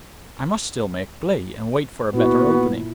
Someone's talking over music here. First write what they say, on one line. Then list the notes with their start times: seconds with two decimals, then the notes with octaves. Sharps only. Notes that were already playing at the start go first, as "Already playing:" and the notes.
I must still make play and wait for a better opening.
2.14 A#2 B3 E4 F#4